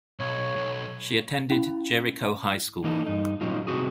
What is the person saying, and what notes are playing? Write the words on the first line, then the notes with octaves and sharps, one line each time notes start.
She attended Jericho High School.
B1 C#5
B1
C#4 E4 F5 B5
E3 A#3 D#4 A4
G2 D#4
A#2 F#3 G3 C#4 D#4 F4
C3 C4 F#4 G#4